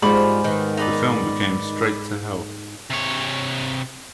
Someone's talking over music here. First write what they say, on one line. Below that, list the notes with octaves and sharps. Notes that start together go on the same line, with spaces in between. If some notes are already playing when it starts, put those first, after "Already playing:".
The film became "Straight to Hell".
G#2 F3 G3 B5 C#6 D6
D#3 B3
D#4 B4 D5
C3 C#5